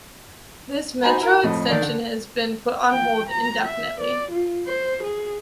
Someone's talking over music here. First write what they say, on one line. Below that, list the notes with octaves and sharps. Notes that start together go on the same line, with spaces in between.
This Metro extension has been put on hold indefinitely.
D#4 F#4 C5 G#5 A#5 B5
E4 A#4
F2 A2 D#5
D#3 D4 D5
D3
G5
A#5
E5
D5
F4
C5
G#4